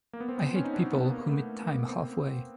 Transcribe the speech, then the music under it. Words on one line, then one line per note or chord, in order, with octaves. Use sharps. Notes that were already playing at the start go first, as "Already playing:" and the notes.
I hate people who meet time halfway.
A#3
B3
C4
B3
C4
C#4
D#4
D4
C4
B3
A#3
A3
A#3
B3
C4